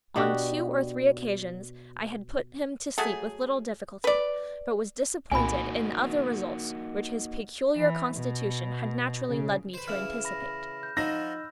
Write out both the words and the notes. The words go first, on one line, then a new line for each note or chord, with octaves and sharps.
On two or three occasions I had put him to sleep with little difficulty, but was disappointed in other results which his peculiar constitution had naturally led me to anticipate.
B2 D4 F#4 G4
F#3 A3 G#4
B4 D5
C2 A#2 A#3 D#4 F#4 G#5 B5
E3
B2
C#3
B4 C5
C#3 E3 F6 E7
B5 A#6
G6
F3 D#4 F4 F#4 E6 A#6